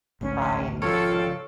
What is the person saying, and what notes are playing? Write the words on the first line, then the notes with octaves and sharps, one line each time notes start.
pry and get the
A1 D2 G#2 C#4
G#1 C#3 F3 F4 A4 C#5 G5 F6